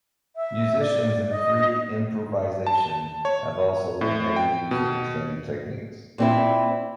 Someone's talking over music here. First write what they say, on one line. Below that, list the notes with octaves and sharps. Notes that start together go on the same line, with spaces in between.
Musicians in free improvisation have also made heavy use of extended techniques.
E5
D5
D#5
A5
C#5
A2
G5
B2
A#2 C4 E4